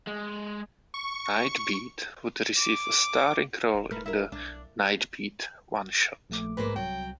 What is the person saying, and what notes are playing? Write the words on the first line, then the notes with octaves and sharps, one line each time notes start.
Nightbeat would receive a starring role in the ": Nightbeat" one-shot.
G#3
C#6
D6
E1
A3 A#4 B4
E4 A#4
B1 D4
A#1 A3 D6
G#2 A#3 B4 C5
C2 F#3 G5